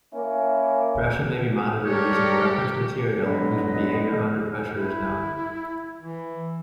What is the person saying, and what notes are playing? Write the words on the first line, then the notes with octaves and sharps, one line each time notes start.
Pressure may be monitored using a reference material whose behavior under pressure is known.
A#3 C#4 E4
G3 G4 A4 A#4 C#5
D3 F#3 G#3 B3 B4 D#5
E4
E3